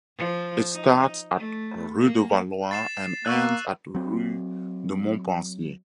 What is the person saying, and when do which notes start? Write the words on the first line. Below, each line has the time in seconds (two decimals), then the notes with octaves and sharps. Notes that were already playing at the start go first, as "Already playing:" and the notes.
It starts at Rue de Valois and ends at Rue de Montpensier.
0.17 F3
0.72 D#4
1.37 A3
2.00 A#3
2.71 A6 C7 E7
3.25 A#3 C#6 E6 F#6
3.95 F#3 C4